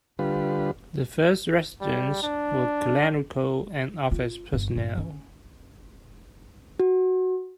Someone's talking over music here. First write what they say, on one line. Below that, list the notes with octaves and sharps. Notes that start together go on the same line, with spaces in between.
The first residents were clerical and office personnel.
D3 G3 F4 B4
G3
D4
F4
G1
G1
C#4
F#4